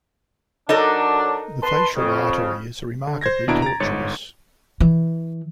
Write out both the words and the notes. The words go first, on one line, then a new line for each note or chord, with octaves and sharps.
The facial artery is remarkably tortuous.
F#3 D4 D#4 A4 A#4
B4 A5 C6
F2 C#3
D3
C5 G#6 A#6
D#2 B2 D4 E4 A#5 D7
A#5 A6
G1 G#2 C#5 A6 C#7
E3